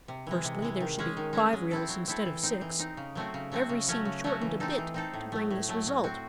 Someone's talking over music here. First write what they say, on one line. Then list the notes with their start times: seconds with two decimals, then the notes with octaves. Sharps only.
Firstly there should be five reels instead of six, every scene shortened a bit to bring this result.
0.08 C3
0.27 E3 G#3
0.44 C3
0.62 E3 G#3
0.80 D#3
0.99 G#3 C#4 G#4
1.17 D#3
1.33 G#3 C#4 G#4
1.53 F#3
1.71 C4 E4 A4
1.89 F#3
2.07 C4 E4 A4
2.25 E3
2.43 C4 D#4
2.61 E3
2.79 C4 D#4
2.97 C#3
3.15 F#3 A3 C4 F#4
3.34 C#3
3.52 F#3 A3 C4 F#4
3.69 C#3
3.88 F#3 A3 C#4 F#4
4.05 C#3
4.24 F#3 A3 C#4 F#4
4.41 E3
4.60 C4 D#4 A4
4.78 E3
4.94 C4 D#4 A4
5.14 A2
5.32 F#3 A3
5.51 A2
5.69 F#3 A3
5.86 F#3
6.04 C4 F#4